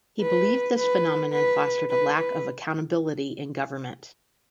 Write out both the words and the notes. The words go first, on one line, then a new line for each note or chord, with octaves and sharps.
He believed this phenomenon fostered a lack of accountability in government.
B4
B4
B4
B4
B4